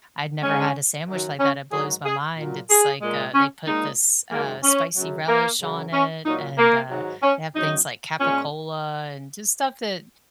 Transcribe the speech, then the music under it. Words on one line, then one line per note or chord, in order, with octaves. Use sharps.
I'd never had a sandwich like that, it blows my mind, it's like, uh, they put this, uh, spicy relish on it, and, uh, they have things like capicola and just stuff that,
G#2 G#3 C#4
F#2 D#3 F#3
C#4
G#2 D#3 F#3 G#4
G#4
A#2 F#3
G#4
A#2 G#3
C#4
A#2 G#3 D#4
F#2 D#3 G#3 A#3
C#4
F#2 C#3 F#3
A#3
F#2 C#3 F#3
C#4
A#2 F#3 D#4
A#3
G#2 D#3 F#3
C#4
F#2 C#3 F#3 D#4
A#2 G#3 C#4